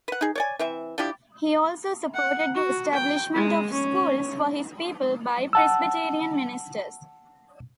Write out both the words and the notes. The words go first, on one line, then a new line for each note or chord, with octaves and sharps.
He also supported the establishment of schools for his people by Presbyterian ministers.
B4 F#5
D#4 G#4
C#5 D5 G#5
E3 C4 E5
F3 D4 E4 G4
F#5
F#4
G5
G#3
C#4
F#5 A5 E6